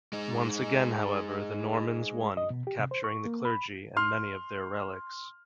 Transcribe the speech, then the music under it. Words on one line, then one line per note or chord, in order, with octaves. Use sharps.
Once again however the Normans won, capturing the clergy and many of their relics.
G#3 D#4
D#5
B2
G4
C3
C5
C#6
A#3
B5
C6 F6